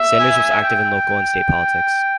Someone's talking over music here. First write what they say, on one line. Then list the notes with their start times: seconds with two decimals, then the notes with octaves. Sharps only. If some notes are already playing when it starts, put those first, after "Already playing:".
Sanders was active in local and state politics.
Already playing: E5
0.20 G#5
0.63 G5